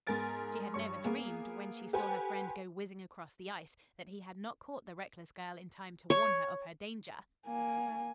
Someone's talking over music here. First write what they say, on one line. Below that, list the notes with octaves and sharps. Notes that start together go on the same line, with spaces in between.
She had never dreamed, when she saw her friend go whizzing across the ice, that he had not caught the reckless girl in time to warn her of her danger.
G#2 B3 A#4 G#5 A6 D7
G2 C#5 C#6
A#3 B3 G#4
G4 A4 B4 C5 F#5 G#5
C#5
A#3 G#5